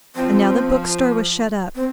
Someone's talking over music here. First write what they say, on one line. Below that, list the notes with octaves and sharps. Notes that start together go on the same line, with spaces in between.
And now the bookstore was shut up.
F3 C4
C4